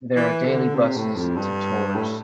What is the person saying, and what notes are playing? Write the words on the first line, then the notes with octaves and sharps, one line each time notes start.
There are daily buses to Tours.
E3
D3
C3
A2
F2
G2
A2